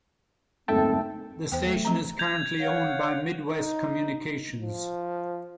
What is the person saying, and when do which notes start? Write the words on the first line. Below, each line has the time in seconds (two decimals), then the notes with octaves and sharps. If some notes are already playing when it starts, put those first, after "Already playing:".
The station is currently owned by Midwest Communications.
0.68 F#1 D2 G#2 C4 A4 E5 G5 A5
1.52 E2 C5 G5
1.67 A3
1.85 F3 C4 A#5
2.19 G6 G#6 F7
2.59 C#5 F5 F#5
3.49 D#4
4.61 F3